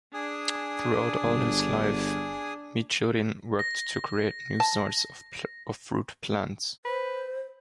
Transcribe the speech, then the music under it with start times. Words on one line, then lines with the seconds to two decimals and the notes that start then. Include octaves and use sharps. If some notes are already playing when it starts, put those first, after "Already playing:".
Throughout all his life, Michurin worked to create new sorts of fruit plants.
0.14 D4 G#4 G#5 D#6
1.24 G1
3.59 A#6
4.60 A5
6.85 B4 C5